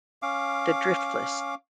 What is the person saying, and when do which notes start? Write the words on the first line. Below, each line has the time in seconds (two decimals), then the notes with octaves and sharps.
the Driftless
0.22 C#4 F5 D6